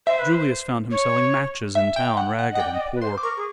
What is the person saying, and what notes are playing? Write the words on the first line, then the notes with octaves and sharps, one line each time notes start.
Julius found him selling matches in town, ragged and poor.
C5 E5
B4
C5
C#5
E5
G5
F#5
F#5
D#5
F#5
D5 G5
D#5
D5
B4
C5 C6
D6
A#4 C#6
G#4